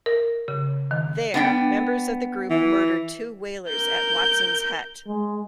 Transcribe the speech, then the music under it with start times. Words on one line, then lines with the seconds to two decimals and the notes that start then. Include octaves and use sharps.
There, members of the group murdered two whalers at Watsons hut.
0.06 A#4
0.48 C#3
0.91 D#3
1.34 B3 D4 G5
2.50 E3
3.69 A#4 G6
5.07 G#3